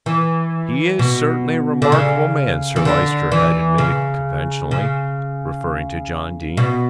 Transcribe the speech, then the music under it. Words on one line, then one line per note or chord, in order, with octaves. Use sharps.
"He is certainly a remarkable man," Sir Lyster had admitted conventionally, referring to John Dene.
E3
B2
D3
C#3
E3
D3
E3
C#3
C#3
B2